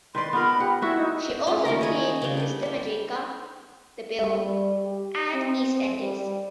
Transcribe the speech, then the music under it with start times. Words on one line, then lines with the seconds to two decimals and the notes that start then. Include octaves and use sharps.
She also appeared in "Mr Majeika", "The Bill" and "EastEnders".
0.15 D#3 B4 D5 C6
0.33 B3 F4 A#4 B5
0.60 G4 F#5
0.82 D4 E4 F#4 E5
0.97 D#4
1.47 A3 C#4 F4
1.65 D#3 G3 A3 A#3
1.81 G#4 D#5 G#5 A#5
2.22 C#3 G3
2.37 D4 G5
2.66 G3
4.20 G3
4.85 G4
5.34 C4
6.00 G3